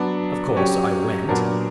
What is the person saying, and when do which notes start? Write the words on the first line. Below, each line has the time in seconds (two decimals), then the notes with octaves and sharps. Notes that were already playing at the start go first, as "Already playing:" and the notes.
Of course I went.
Already playing: F#3 B3 D4
0.56 F#3 C#4 G4 C#5
1.29 A#2 F#3 B3 D4 A#4